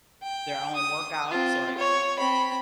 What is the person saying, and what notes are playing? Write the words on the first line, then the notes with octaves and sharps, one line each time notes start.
their own workouts, or
G5
D#6
C4 F4
C#5
C4 B5